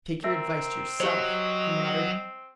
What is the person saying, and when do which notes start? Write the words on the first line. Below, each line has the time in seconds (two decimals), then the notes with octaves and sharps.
"Take your advice to yourself," he muttered.
0.24 C4 A#4 E5 E6
1.00 F#3 G4 C5 D#5